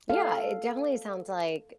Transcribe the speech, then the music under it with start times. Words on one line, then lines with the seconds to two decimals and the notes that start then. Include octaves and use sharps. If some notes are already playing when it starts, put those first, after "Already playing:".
Yeah, it definitely sounds like
0.10 A4 F5